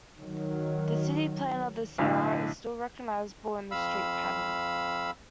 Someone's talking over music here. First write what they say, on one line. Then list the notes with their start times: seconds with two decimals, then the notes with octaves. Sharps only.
The city plan of this era is still recognisable in the street-pattern.
0.18 D#3 F#3
1.98 B1 A2 D3
3.71 F2 F5 B5 E6